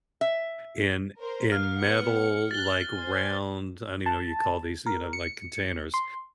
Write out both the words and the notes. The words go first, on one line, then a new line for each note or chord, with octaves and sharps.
in in metal, like, round- I don't even know what you call these- you know, like, containers,
E5
A#4 C5
F5 F6
B3 F#5 C#7
C#7
F#6 A6 G7
C5 G#5
A5
A#4
C#7
C6